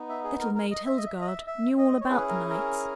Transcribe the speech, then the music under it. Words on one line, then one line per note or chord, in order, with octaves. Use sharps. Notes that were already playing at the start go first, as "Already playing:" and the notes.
Little Maid Hildegarde knew all about the knights.
Already playing: B3 D#4
E5
G#4
A#4
A#4
D#5
E5
D#5
E5
D#5
E5
E5
D#5
C#5
C#4 E4 G#4 B4
A#4
A#4